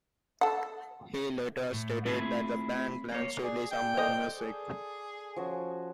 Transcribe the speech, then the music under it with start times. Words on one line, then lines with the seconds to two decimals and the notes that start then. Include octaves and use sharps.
He later stated that the band plans to release more music.
0.41 A4 F#5
1.73 A2
2.06 A3 C4 E4 F4 G#4
3.12 A#3 C#5
3.42 G#4 D5
3.71 G5
3.97 A4 C5 D#5 F5 C6 D#6
4.37 G#4
5.36 F3 C#4 F#4